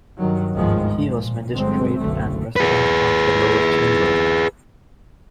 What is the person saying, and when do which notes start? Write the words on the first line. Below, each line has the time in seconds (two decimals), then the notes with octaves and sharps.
He was magistrate and President of the Lower Chamber.
0.18 G2 D#3 F#3
0.53 G1 D2 G#2 D#3 F3 G#3
0.82 F3
1.19 A#2
1.52 G1 D3 F#3 G#3 C4
1.98 F#1 B1 D3 A3
2.56 G#4 B4